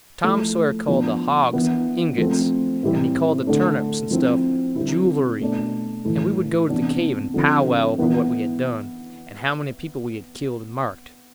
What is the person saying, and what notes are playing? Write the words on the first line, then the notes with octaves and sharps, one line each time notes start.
Tom Sawyer called the hogs "ingots," and he called the turnips and stuff "julery," and we would go to the cave and powwow over what we had done, and how many people we had killed and marked.
F3 A3 E4
F3 B3 D4
E3 B3 D4
F3 A3 C4
A2 E3 G3 C4 E4
D3 A3 D4
F3 C4 E4
D3 G3 C4 E4
B2 A3 D4
A2 E3 A3 E4
C3 E3 B3 D4
D3 F3 C4 E4
E3 B3 E4